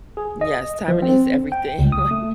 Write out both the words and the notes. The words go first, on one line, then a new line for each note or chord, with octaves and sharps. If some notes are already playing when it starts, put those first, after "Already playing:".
Yes, timing is everything, like
G#4
D#5
F3
C4
G5
C#2
D#6
A3